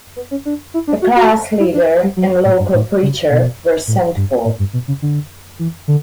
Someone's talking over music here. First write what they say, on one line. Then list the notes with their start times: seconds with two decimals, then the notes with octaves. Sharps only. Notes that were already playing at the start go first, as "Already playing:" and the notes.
The class-leader and local preacher were sent for.
0.16 B3
0.31 C#4
0.45 D4
0.74 E4
0.87 D4
1.02 F#4
1.16 F#4
1.60 E4
1.74 D4
2.03 G3
2.17 F#3
2.45 A2
2.59 G2
2.74 A2
3.03 C#3
3.31 B2
3.88 A2
4.16 G2
4.45 A2
4.59 G2
4.73 B2
4.88 C#3
5.02 D3
5.59 E3
5.88 D3